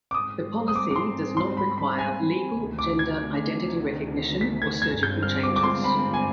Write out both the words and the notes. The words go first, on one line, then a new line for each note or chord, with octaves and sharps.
The policy does not require legal gender identity recognition or surgical changes.
D6
G#2 G3 C4 D#6
D#6
D6
D6
C6
C6
B5
B5
G#5
D2 C3 D#3
D6
G#6
B6
G#6
G#6
G2 D3 G#3 C4 F4 G6
F6
D6
D6
C6
B5
G#5